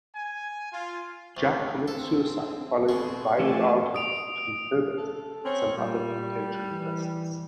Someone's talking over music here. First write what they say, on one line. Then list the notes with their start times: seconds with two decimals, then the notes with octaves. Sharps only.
Jack commits suicide following a violent argument between Herbert and some other potential investors.
0.14 G#5
0.72 F4
1.37 D2
1.88 C4 G#4 A4
2.89 B2 G#3 C4 G#4 A4
3.40 F3 A3 D5 G#5 A5
3.94 D#6 D7 F7
4.98 A4
5.45 C4 C#4 C#5
5.76 A#2 G3
6.71 E3